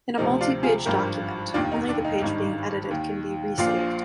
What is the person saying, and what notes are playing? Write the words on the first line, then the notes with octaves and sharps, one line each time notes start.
In a multipage document, only the page being edited can be re-saved.
D2 C3 F3 D#4
D4 F4
F4 G#4
G#1 G2 F3 G4 A#4
F1 D#2 D#3 D4 F4
D#4
D4
D#4
G#1 G2 D#3
D#2 D#3
A#1 A#2 F3 D4 F4